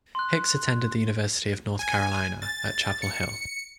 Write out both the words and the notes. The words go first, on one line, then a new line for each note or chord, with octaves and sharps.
Hicks attended the University of North Carolina at Chapel Hill.
C6 F#6
G#5
A6
C#7